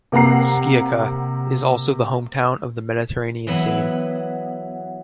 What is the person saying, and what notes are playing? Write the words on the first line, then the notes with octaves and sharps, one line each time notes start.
Sciacca is also the hometown of the Mediterranean Scene.
C3 A#3 F#5 A#5 C7
E3 F#3 B3